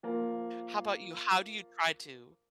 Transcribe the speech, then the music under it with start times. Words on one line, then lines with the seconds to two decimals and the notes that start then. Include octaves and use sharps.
How 'bout you? How do you try to,
0.03 F3 A#3